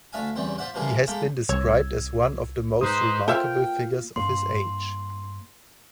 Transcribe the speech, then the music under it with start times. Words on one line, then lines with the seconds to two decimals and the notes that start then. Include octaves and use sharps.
He has been described as "one of the most remarkable figures of his age".
0.13 D2 D4 E5 F5 G#5
0.36 E2 C#3 E3 G3 C4
0.58 F4 C5 D5 E5 F#5
0.74 C3 E3 F3 G3 A#3 G#4
1.07 G#3 A#3 A4 E5 F5 G5
1.49 C2 C#5 E6 G#6
2.81 G#2 D#4 B4 C5 D#6
3.28 A#3 F4 A4 C5 E5 G5 F6
4.16 G2 A#3 C6